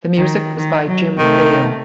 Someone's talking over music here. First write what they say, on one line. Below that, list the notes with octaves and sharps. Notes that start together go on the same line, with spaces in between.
The music was by Jim Dale.
D#3
D#3
F#3
C3 D#3 A3